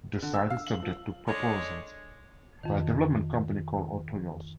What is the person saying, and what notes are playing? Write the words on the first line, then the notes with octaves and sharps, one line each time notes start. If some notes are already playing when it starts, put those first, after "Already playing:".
The site is subject to proposals by a development company called Orthios.
D3
E6
F5
F#7
F3
D3 G#3 C#5
F2 D#3